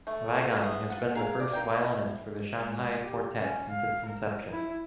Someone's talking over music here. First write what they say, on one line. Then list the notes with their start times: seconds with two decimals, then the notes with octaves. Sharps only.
Weigang has been the first violinist for the Shanghai Quartet since its inception.
0.07 A3
0.60 E3 G#3 B3
0.90 F4 F#5
1.15 G#4 A#4 F5
1.40 D5
1.53 E3 A#3 G5
2.53 G#3
3.00 G4
3.36 C#4
3.68 F5
4.05 A#4
4.52 E4